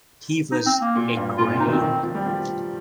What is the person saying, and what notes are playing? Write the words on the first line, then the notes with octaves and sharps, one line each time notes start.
He was a gray.
D#4
C4
A#3
A#2
G2
A#2 F4
F4
C3
D#4
D#3
C4
D#3
F3
G3
F3